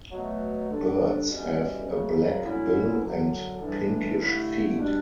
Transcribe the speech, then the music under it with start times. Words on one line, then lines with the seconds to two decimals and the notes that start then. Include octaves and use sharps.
Birds have a black bill and pinkish feet.
0.11 B2 F#3 A3
0.69 D3 G3 D4
1.29 B2 G3 C#4 E4
1.87 F#2 C#3 F#3
2.45 D3 F#3 C#4 E4
3.03 F#2 D3 F#3
3.60 A2 E3 G3 D4
4.19 G2 D3 A3 E4
4.78 B2 G3 D4